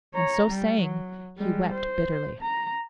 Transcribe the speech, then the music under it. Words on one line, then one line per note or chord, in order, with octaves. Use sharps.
And so saying he wept bitterly.
C#5 A#5
G3
F#3
G3 G#3
C5
A#5